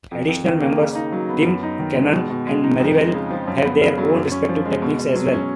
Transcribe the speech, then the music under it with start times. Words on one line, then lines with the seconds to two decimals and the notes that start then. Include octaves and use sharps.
Additional members Tim, Kanon, and Marivel have their own respective techniques as well.
0.11 F2
0.28 F2
0.45 D#3
0.61 A#3
0.79 C#3
0.95 D#4
1.12 F#3
1.29 B3
1.46 F#2
1.63 D#4
1.79 D#3
1.96 G#3
2.13 B2
2.30 B2
2.47 G#3
2.64 D#4
2.80 F2
2.97 G#3
3.14 C#3
3.30 F3
3.47 F#2
3.64 B3
3.81 C#3
3.98 F#3
4.15 F#2
4.32 C#4
4.49 F3
4.65 G#3
4.82 B2
4.99 B2
5.16 F#3
5.32 C#4